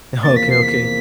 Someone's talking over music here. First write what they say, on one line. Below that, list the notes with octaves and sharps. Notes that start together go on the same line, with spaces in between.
Okay, okay.
E2 C3 F3 A#3 A6
B6
C7
B6